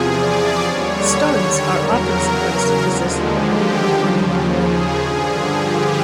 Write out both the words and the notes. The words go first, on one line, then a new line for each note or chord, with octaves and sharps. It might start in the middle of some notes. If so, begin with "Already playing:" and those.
Stones are often supposed to possess the property of bringing on rain.
Already playing: E2 C3 F3 G#4
D5
D#2 D3 G3 C#5
E2 C#3 F#3 A#4
D#2 D3 F3 G#3
G4
D#2 C#3 F3
G#4
G2 D3 F3 G#4
G4